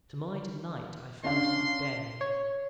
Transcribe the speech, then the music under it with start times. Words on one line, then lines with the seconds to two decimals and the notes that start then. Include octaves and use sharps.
To my delight I found it would bear me.
1.24 C#4 D4 F5 C6
2.21 C#5